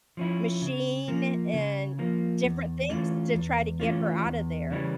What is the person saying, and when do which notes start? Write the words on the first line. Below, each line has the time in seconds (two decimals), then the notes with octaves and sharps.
machine and different things to try to get her out of there.
0.17 F3 C#4 E4
0.62 C#3
1.08 F3 A#3
1.53 C#3
1.99 F3 A#3
2.43 E2
2.89 E3 A3 C#4 F4
3.35 E2
3.80 E3 A3 C#4 F4
4.25 E2
4.70 C#3 E3 G3 C#4